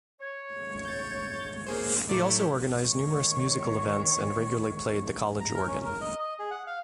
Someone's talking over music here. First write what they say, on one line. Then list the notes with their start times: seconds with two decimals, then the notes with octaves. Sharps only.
He also organised numerous musical events and regularly played the college organ.
0.21 C#5
0.85 G6 A6
1.67 A#3 G#4 C5
2.09 A2 C#3 F#3 G3 A3 D5
2.26 G4
2.83 D#3 C#5
5.40 A#5
5.55 A#4
5.67 C#4
5.85 A#4
6.01 D#5
6.19 D#5
6.39 G#4
6.51 F#5
6.67 F5